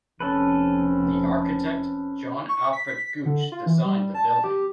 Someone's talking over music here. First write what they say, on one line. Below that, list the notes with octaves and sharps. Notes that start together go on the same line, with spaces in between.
The architect John Alfred Gotch designed the building.
F1 C4 C#4 A4 B4
C#6
B6
D3
F4
E3
G3
A5
A5
G4